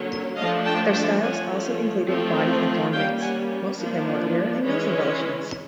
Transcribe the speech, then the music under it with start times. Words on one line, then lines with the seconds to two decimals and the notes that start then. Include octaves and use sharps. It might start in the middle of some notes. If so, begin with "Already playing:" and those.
Their styles also included body adornments; most of them wore ear and nose embellishments.
Already playing: D3 F#3 A#3 C#4
0.36 F3 A3 D4 D#5 F5
0.65 G5 A5
0.93 G5 A5
1.21 F3 A3 C#4 F#5 G#5
2.07 F3 A3 C4
2.92 G3 A#3 C#4 F5 G5
3.21 F#5 G#5
3.77 F3 A#3 D4
4.62 E3 G#3 C#4